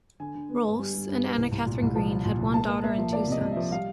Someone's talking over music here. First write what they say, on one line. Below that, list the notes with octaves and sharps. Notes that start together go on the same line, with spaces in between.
Rohlfs and Anna Katharine Green had one daughter and two sons.
D3 G#5
D3
B3
G2
G3
G3
G2
B3
C2
C2
A#2
C2
F3 A5
F3
A#2
C2
A#3 A5
A#3
A#3 E5
F3
A#3 D5
C3 D#5
C3
F3 E5
G3 F5